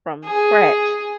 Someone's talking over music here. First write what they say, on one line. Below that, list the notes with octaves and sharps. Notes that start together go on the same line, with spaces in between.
from scratch.
G#4